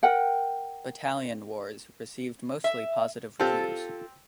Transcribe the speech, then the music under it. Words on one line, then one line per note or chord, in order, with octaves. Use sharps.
"Battalion Wars" received mostly positive reviews.
A#4 F#5 G5
E5
C4 F4 G4 A4